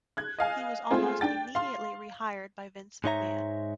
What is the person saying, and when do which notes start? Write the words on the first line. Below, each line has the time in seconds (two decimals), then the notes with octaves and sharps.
He was almost immediately re-hired by Vince McMahon.
0.17 F#6 G#6
0.38 D#5 F5 G#5
0.91 G#3 A3 C4 F4 G#4
1.21 D4 G5 A6
1.55 F5 C6
3.04 G#2 G#3 D#4 C#5 E5 A#5